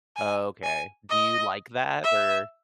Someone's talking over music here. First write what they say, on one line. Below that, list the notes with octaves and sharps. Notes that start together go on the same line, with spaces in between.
Oh, okay. Do you like that? Or
G#5
G#5
D#5
E5